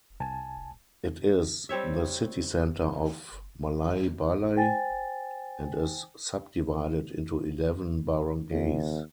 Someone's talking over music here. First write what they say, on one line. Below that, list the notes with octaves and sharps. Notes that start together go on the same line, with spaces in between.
It is the city center of Malaybalay and is subdivided into eleven barangays.
C2 G#5 A5
G3 C4 C#5 E5
C5 G5 G#5 A6
D#2